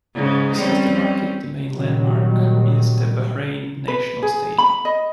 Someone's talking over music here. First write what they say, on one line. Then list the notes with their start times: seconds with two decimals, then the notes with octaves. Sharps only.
Besides the market, the main landmark is the Bahrain National Stadium.
0.15 G#2 C#3
0.56 G3 C4 C#4
1.73 A#2 D#3 F#3 G3
3.88 B4
4.22 G#4
4.58 B5
4.85 D#5